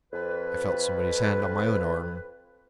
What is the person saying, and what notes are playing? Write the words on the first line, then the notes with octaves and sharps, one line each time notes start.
I felt somebody's hand on my own arm.
F2 B4